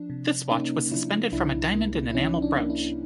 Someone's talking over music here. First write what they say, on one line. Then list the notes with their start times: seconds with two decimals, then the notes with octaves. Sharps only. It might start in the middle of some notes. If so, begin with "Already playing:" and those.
This watch was suspended from a diamond and enamel brooch.
Already playing: F3 D4
0.10 C3
0.51 A#3 C#4 D#4
0.91 F3 D4 E4
1.32 C2 D4 E4
1.74 A#3
2.10 E4
2.15 F3 C#4 D#4
2.42 D4
2.56 A#3
2.70 D4 E4